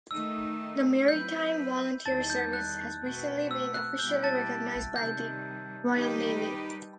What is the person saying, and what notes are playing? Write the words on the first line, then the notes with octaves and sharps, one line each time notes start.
The Maritime Volunteer Service has recently been officially recognised by the Royal Navy.
D#3 A3 D#4 E6
F#3 C4 E4 B4 G6
E2 D#3 G3 D#4 A5 A6
G6
F#6
B2 A3 C4 F#4 B4
E6
F#6
B2 G3 B3 E4 G4 G6
A5 A6
C3 D#3 G3 G6
D#3 G3 D#4 G4 B4